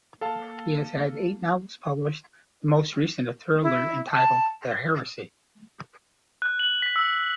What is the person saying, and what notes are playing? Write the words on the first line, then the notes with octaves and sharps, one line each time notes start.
He has had eight novels published, the most recent a thriller entitled "The Heresy".
A#3 A4 F5 A5
E4
A5
F#6
F#7
B6
E6
E6